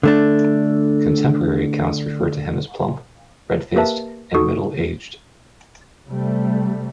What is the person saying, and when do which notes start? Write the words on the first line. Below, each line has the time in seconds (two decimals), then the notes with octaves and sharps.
Contemporary accounts refer to him as plump, red-faced and middle aged.
0.03 D3 A3 D4
3.76 A#3 G4 A#4 B4 E5 A5
4.35 D#4 F#4 A4 C#6 D#6
6.06 C3 G3 A3